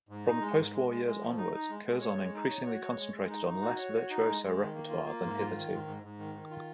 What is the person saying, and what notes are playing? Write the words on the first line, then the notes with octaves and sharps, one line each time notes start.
From the post-war years onwards, Curzon increasingly concentrated on less virtuoso repertoire than hitherto.
G#2
D#4
G#3
G#2
G#3
G#3
G#3
F3
D#4
D#4
G#3
G#3
C#5
G#3
D#4
C#5
F#4
C#5
G#3
G#3
D#4
D#4
F#4
C#5
F#4
D#4
G#3
G#3
D#3
A#3
F4
A#3
G#2
F4
D#3
G#2
G#2
G#2
D#3
D#3
F4